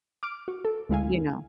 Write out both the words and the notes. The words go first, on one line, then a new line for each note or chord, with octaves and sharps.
you know,
D6 F6 D7
F#4
A4
D2 G#3 E4 F5 G#5